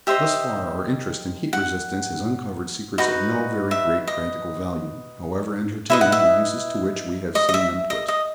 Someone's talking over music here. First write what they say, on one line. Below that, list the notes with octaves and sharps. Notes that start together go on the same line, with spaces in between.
Thus far our interest in heat-resistance has uncovered secrets of no very great practical value, however entertaining the uses to which we have seen them put.
G4 C5 D#5 E5
F#5
D#4 F#4 B4
E5
D#5
E4 B4 D#5 E5
F#5
E5
D#5
D#5
E5
D#5
D#5